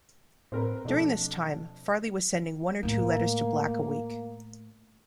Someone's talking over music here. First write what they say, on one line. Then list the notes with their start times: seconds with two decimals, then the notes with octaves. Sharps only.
During this time, Farley was sending one or two letters to Black a week.
0.52 A2 C4 A#4 B4
0.85 F2 B2 A3 D4
2.83 A2 A3 A#3